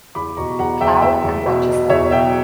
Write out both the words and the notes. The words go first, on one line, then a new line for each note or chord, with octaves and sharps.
Cloud and Rochester.
E2 B5 D6
B2 A#5 C#6
E2 F#5 A#5
E2 E5 G5
E2 E5 G5
E2
B2
B2
E2 C#5 E5
B2 E5 G5